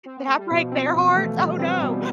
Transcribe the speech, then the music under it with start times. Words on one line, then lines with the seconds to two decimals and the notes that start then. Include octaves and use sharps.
"Did I break their hearts? Oh, no."
0.06 C4
0.17 B3
0.28 A3
0.38 G3
0.49 B2 F3
0.72 C4
0.93 B2 F3
1.08 E3
1.16 A3
1.22 F3
1.37 B2 G3
1.59 B3 C4
1.81 B2 G3